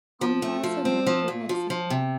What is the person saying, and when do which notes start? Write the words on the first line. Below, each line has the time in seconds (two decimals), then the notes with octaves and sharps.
Ambassador to Mexico.
0.21 F3
0.42 A3
0.63 F3
0.85 C4
1.07 F3
1.28 A#2
1.49 F3
1.70 F3
1.90 C3